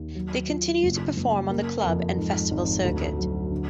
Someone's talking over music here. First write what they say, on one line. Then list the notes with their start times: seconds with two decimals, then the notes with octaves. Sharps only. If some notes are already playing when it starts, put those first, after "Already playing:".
They continue to perform on the club and festival circuit.
Already playing: D#2
0.15 F#3
0.49 F4
0.83 F#1
1.16 F#1
1.50 A#3
1.84 F2
2.17 G#2
2.51 G#1
2.84 D2
3.18 F#3
3.52 D3